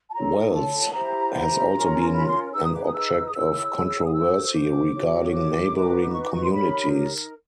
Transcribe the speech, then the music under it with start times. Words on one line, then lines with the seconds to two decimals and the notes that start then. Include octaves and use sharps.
Wells has also been an object of controversy regarding neighbouring communities.
0.09 A5
0.13 F4 A4 C#5 A#5
0.49 A#5
0.53 A5
0.93 E4 G4 C5 A#5
1.33 A#5
1.74 C#4 F4 A#4 C#5
2.13 B5
2.26 C6
2.52 D#4 G#4 B4 E6
2.63 D#6
2.74 D6
2.84 D#6
2.93 E6
3.28 D#6
3.32 E4 G#4 C#5 E6
4.04 D#6
4.13 F#4 A4 C5 E6
4.53 D6
4.93 F#4 A4 C#5
5.33 D6
5.73 D#4 F#4 B4
6.08 D6
6.13 C#6
6.23 D6
6.32 C#6
6.43 C6
6.52 D#4 G4 A#4 C#5 B5